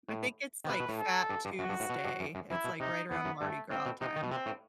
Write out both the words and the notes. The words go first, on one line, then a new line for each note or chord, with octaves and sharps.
I think it's, like, Fat Tuesday. It's, like, right around Mardi Gras time.
A2
D#3
C3 B4
B2
A2
A4
G2
G2
F#2 F#4
G2
A2
B2
G2
F#2
F#2
F#2 E4
B2
C3 D#4
E2 B3
F#2
G2 A3
A2 C4
B2
C3 D#4
D#3
B2
C3 C4
A2